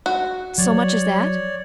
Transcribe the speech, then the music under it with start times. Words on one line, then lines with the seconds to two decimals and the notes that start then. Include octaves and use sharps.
"So much as that?"
0.06 F#4
0.58 F#3 C#5 D5